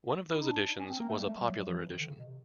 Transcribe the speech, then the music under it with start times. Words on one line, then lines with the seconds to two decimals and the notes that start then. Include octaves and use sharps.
One of those editions was a Popular edition.
0.31 E4
0.40 D#4
0.49 D4
0.79 C#4
0.90 C4
0.99 A#3
1.09 A3
1.18 G3
1.28 A3
1.38 G3
1.48 F#3
1.59 F#3
1.69 F3
1.78 E3
1.89 D#3
1.99 D3
2.08 C#3
2.18 B2
2.27 C3